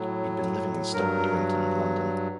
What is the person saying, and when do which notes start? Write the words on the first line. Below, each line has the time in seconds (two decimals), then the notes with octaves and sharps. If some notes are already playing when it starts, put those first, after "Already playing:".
He had been living in Stoke Newington, London.
Already playing: A2 F#3
0.93 G2 F#3 A#4